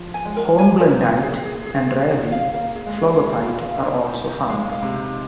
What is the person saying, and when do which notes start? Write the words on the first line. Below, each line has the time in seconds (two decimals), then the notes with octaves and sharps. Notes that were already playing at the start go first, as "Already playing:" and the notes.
Hornblendite and, rarely phlogopite, are also found.
Already playing: F3
0.14 G#5
0.26 G#3
0.36 A#4
0.58 G#3 G#5
0.80 A#4
0.90 A#3
1.02 G#5
1.23 G#4
1.46 G#4
1.67 G#4
1.88 G#4
2.10 G#4
2.32 F5
2.54 A#3 F5
2.76 G#4
2.87 G#3
2.98 G#4
3.19 G#4
3.41 F5
3.62 F5
3.85 G#4
4.06 D#4
4.27 D#4
4.49 G#3 F5
4.72 F5
4.83 C3
4.93 D#4